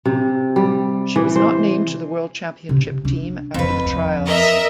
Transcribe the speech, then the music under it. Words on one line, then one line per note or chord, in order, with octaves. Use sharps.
She was not named to the World Championship team after the trials.
C3
G3
E3
C5
C3
D4
F1 F2 B4
E2
A#4 D#5 E5